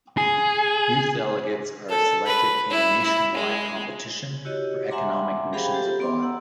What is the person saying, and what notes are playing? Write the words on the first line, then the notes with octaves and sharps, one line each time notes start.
Youth delegates are selected in a nationwide competition for economic missions abroad.
G#4
A4
B4
E4
E4
G#3
E4 F#4 G4 C#5 D#5
E5 F#5 G#5 A#5 C6 D6
G4 G#4 C5 F5 G5 B5
G4 A4 C5
B3 D#5 C6 D6
F#5 A#5 E6